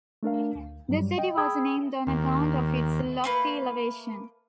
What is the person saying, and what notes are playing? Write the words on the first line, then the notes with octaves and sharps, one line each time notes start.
The city was named on account of its lofty elevation.
A3 D4 A#4 F5
D2
G2 F#3 G3
D#5 G5
G#4 G5 B5 D#6 E6 G#6
D#2
A3 A#3 B4